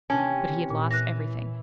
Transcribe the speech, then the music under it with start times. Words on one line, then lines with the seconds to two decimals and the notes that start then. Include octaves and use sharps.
But he had lost everything.
0.10 D#2 C3 E3 C#4 A5
0.70 A#2
0.91 E3 F#6 A#6